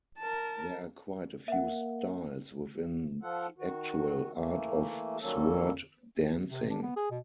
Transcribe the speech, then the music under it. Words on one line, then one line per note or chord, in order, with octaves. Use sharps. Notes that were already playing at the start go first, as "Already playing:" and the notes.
There are quite a few styles within the actual art of sword dancing.
A#4 A5
A#3 E5 F#5
F3 F4 A4 F#5
D#3 F#4
E3 A3 A#3
D#3 F#3 G3 A#3 C#4 A4
C3
D4
B3
G#4
B2